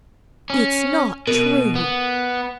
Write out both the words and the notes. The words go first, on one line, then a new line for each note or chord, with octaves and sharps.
"It's not true!"
C#4
B2 A#4
B3